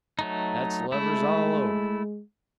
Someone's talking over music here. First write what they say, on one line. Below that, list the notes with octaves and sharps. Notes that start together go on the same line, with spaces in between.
That's lovers all over.
F#3 A3 D#4
G#3 A3 E4